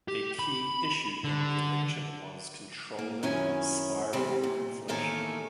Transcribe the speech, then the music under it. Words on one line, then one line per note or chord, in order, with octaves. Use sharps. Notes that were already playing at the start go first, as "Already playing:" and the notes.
A key issue in the election was controlling spiralling inflation.
G4
B5
D3
A#3
F#2 D#3 C#4 E4 G#5
E2 C3 G3 C4
A#2
E2 A2 D#3 A#3 A4 G#5